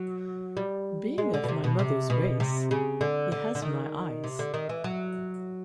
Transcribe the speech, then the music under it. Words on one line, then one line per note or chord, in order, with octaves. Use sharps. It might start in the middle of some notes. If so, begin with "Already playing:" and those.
Being of my mother's race, he has my eyes.
Already playing: F#3
G3
G#3
D3
B2
C3
B2
C3
B2
C3
C#3
D3
D3
D3
D#3
C3
D3
D#3
E3
F#3